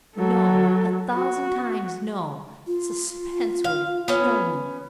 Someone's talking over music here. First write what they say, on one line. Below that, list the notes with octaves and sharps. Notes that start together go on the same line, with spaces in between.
"No!--a thousand times no! Suspense would kill me!"
F#3 A4
F#4
F4
F5
B3 C#4